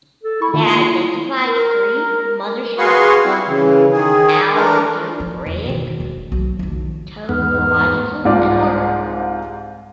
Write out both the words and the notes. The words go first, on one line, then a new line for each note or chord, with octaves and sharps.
They identified three "mother structures": algebraic, topological, and order.
A4
E4 C#6
D#3 F4
A#3
E4
A#4
F#4 G#4 B4 F5 C6 C#6
G3 C4 E4
C#3 E3
D#3 G#4
E3 A3 D4 A#4
F3
E2
B2 D#3
E1 A#3
B1
F2 D#3
E2 G#2 B3 F6
C2 G#2 F4 D5 D6